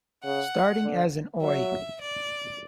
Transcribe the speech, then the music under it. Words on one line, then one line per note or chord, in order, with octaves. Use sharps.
Starting as an Oi!
C#3 F#5
D3
F#3 E5
D5